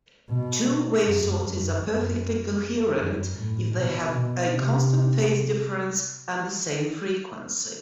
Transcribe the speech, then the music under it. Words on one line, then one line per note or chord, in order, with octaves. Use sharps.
Two-wave sources are perfectly coherent if they have a constant phase difference and the same frequency.
B2
F#2
F#2
F#2
F#2
A2
B2
B2
C3